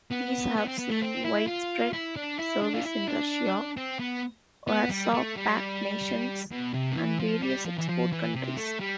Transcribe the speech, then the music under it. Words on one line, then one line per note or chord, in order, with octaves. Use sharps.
These have seen widespread service in Russia, Warsaw Pact nations, and various export countries.
B3
B3
C4
B3
A3
C4
E4
F4
E4
D4
E4
D4
F4
E4
D4
C4
B3
B3
G3
A3
G3
B2
C3
D3
E3
F3
G3
F3
E3
F3
E3
C3
A3
G3